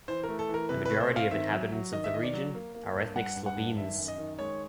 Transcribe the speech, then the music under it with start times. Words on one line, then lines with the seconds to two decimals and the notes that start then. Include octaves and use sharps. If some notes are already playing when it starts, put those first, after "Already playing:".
The majority of the inhabitants of the region are ethnic Slovenes.
0.08 E3 C5
0.23 A3 A#4
0.39 A4
0.49 E3
0.54 A#4
0.69 C3 B4
0.85 A3 B4
1.00 C5
1.11 C4
1.16 F5
1.31 D#3 E5
1.51 F#3
1.72 F#3
1.93 D#3 D#5
2.04 E5
2.13 D#3 D#5
2.23 D5
2.33 F#3
2.55 A#3
2.75 A#3
2.95 G2
3.16 G3 F#5
3.36 G2
3.46 F#5
3.56 G2
3.77 D#3 E5
3.97 F#2
4.08 D#5
4.18 D#3
4.39 G#3 C#5